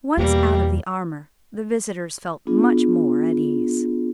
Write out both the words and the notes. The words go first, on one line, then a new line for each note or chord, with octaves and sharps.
Once out of the armor the visitors felt much more at ease.
E2 B2 G3 A#3 G4
B3 D4 F4 G#4